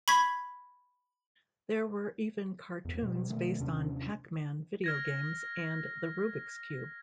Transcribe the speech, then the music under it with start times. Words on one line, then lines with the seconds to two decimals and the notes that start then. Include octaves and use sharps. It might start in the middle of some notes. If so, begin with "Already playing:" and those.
There were even cartoons based on "Pac-Man" video games and "the Rubik's Cube".
0.08 B5 C#6 G#6 B6
2.85 E2 G#2
3.01 B2 G3
3.29 B2 D#3 A3
3.59 D#2 C3 C#4 D4
4.84 F6 G#6 A#6